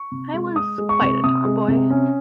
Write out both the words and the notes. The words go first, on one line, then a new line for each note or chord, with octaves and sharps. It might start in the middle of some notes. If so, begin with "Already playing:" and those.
I was quite a tomboy.
Already playing: C#6
C3
G#3
G#3 D#6
G#3
C#6
C3
C3 D#6
G#3
C3
C#4